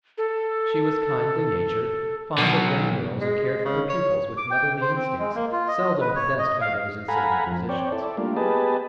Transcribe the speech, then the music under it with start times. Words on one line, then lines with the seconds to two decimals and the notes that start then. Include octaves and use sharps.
She was kindly natured, fond of young girls and cared for her pupils with motherly instincts seldom possessed by those in similar positions.
0.18 A4
2.38 B2 F#3
3.21 G#3
3.65 C#3
3.89 C#5
4.37 D6
4.51 G5
4.81 C5
4.96 C4
5.19 G#3
5.35 A#3
5.52 F4
5.68 D#5
6.01 B4
6.15 C#5
6.39 D#5
6.61 F5
7.08 A4 F5 F#5 G#5 A#5 B5
7.46 F2
7.69 C4 C#5 D5 G5
7.92 E4 A4 D5
8.17 G3 A3 A#3 D4 F4
8.36 B3 G4 G#4 B4 D#5 A5